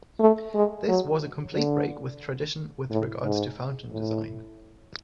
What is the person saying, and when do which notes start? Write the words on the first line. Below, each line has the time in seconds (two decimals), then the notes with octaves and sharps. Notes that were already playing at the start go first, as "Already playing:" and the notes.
This was a complete break with tradition with regards to fountain design.
0.20 A3
0.54 G#3
0.88 F#3
1.55 D3
2.90 A2
3.23 G#2
3.90 A2